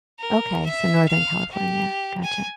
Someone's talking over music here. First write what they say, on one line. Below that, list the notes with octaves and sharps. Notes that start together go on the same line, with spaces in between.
Okay, so, Northern California. Gotcha.
A#4
E5
F5
G4
G#5